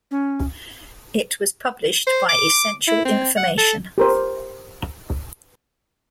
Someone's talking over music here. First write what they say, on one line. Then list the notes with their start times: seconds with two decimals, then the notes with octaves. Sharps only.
It was published by Essential Information.
0.11 C#4
2.07 C5
2.29 D6
2.87 E4
3.05 C4
3.37 F#5
3.58 A4
3.98 G4 A#4 C5